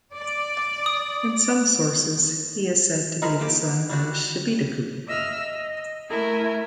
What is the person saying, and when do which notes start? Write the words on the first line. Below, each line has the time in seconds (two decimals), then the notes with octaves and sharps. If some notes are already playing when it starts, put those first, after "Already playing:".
In some sources he is said to be the son of Shebitku.
0.15 D5
0.86 D#6
3.22 D#4 G#4 A#4 C5 B5
3.39 A#3 G4
3.89 G3 D4 F#4
5.06 D#5 E5 E6 F6
5.38 D#5
6.09 A3 E4 A#4 E5 G#5